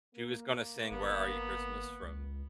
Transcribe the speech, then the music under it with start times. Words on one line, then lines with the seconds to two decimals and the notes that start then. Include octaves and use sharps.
She was gonna sing Where Are You Christmas from
0.15 A#3
0.91 G1 B3
2.03 C#2